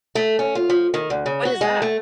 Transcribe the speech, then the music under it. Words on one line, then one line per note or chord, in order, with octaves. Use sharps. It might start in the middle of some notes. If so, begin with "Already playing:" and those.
What is that?
A3
C#4
F4
F3
D#3
D2
C#3
F#4
G#3
A3